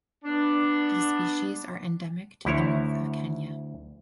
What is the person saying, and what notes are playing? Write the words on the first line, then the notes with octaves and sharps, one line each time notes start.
These species are endemic to the north of Kenya.
B3 D4
D2 E4 C#5